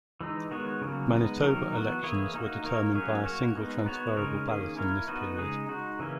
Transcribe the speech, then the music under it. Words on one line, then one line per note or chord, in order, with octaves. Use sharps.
Manitoba elections were determined by a single transferable ballot in this period.
E3 G#3 D#4
D#3 G#3 B3 F#4 C#5
C#3 F#3 A#3
G#3 B3 D#4
D#3 F#3 A#3 D#4 A#4
E3 B3 F#4
E3 A#3 E4 G#4 C#5
A#3 D#4 F#4
A#3 D#4 A#4 C#5
F#3 A#3 C#4 G#4 C#5
A#3 C#4 F#4 C#5
G#3 B3 D#4
B3 F#4 C#5
C#3 G#3 D#4 A#4 C#5
D#3 A#3 C#4 G#4
A#3 E4 A#4 C#5
B3 D#4 F#4 B4
C#3 G#3 D#4 G#4
G#3 D#4 F#4
C#3 E3 A#3 C#4